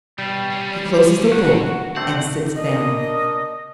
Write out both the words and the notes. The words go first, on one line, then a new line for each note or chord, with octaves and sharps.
He closes the Book and sits down.
B2 G3
C#4 F4
F#4
D3 A3 C4 F#5
D4 A#4 D#5